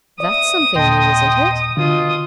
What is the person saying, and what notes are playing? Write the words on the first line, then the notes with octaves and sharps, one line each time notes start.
'That's something new, isn't it?'
D5 E5 D#6
D#2 A#2 D#5 G5 A5 C6
B2 D3 F4 D#6